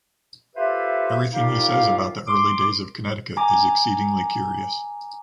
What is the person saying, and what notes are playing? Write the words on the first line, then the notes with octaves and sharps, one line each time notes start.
Everything he says about the early days of Connecticut is exceedingly curious.
F4 G4 A4 B4 C5 E5
C2 D#4 F4 G4 F5
C6 D6
G#5 A#5 D6